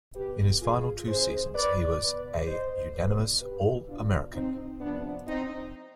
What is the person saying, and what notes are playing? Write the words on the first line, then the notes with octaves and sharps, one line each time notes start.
In his final two seasons he was a unanimous All-American.
B2 G4 B4
F4 G#4
C3 D#3 G#4 C5
B4 D5
B2 B4 D5
C5 D#5
B2 B4 D5
G4 B4
B2 D4 F4
C4 D#4
C3 F3 B3 D4
C4 D#4